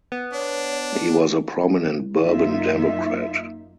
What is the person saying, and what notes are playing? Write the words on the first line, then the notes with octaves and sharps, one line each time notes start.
He was a prominent Bourbon Democrat.
B3
D4 C#5
F#2 A#3 D#4 F4 E5